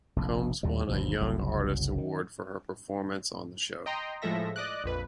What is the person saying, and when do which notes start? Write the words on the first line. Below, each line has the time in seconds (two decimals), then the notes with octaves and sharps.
Combs won a Young Artist Award for her performance on the show.
0.16 F1 A#1
0.63 D#2 A#2 G3
0.87 G1 D#2 B2 F3
1.21 F#1 C2 C#3 F#3
1.98 D#3
3.86 D#5 G5 A#5 C6
4.22 A2 F3 G#3 A4 E5 A#6
4.56 D5 D#5 D6 F#6
4.84 A#1 F2 B4